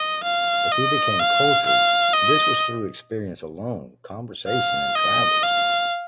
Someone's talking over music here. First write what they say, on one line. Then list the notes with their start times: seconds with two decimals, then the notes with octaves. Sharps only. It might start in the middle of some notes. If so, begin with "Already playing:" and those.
If he became cultured, this was through experience alone, conversation and travels.
Already playing: D#5
0.24 F5
0.72 D#5
1.19 F5
1.66 F5
2.13 D#5
4.49 F5
4.95 D#5
5.43 F5